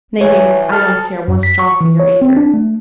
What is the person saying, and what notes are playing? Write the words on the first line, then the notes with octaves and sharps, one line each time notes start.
Nay, Higgins, I don't care one straw for your anger.
E3 C#5
A4 F6
F#2
B6
C#6
E3
C#5
C4
D4
A3